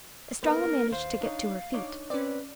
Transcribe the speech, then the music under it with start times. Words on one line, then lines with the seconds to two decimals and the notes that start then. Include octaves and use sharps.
Estralla managed to get to her feet.
0.43 A#3 B3 D4 A#4 B4
0.92 D#2 C5 F5
1.21 D4 D#4 C#5
1.74 D4 D#4 C#5 D6
2.10 C4 C#4 B4 D5